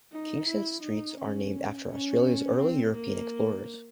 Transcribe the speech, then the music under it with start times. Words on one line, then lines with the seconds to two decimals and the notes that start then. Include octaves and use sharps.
Kingston's streets are named after Australia's early European explorers.
0.12 D#4
0.48 E4
0.82 D#4
1.19 C#4
1.89 C#4
2.59 C4
2.94 A#3